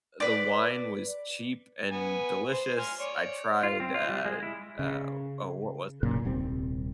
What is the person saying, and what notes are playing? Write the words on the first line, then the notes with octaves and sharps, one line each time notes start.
the wine was cheap and delicious. I tried, uh, uh, oh, what was it?
B4 D5
B3 G#5
C5
G#5 C6 F6
C#5 D5
F4
C4
F4
G3
G#3
E4
C#3
F#1 B1 A#2 C#3
D#1 C2 G3 C4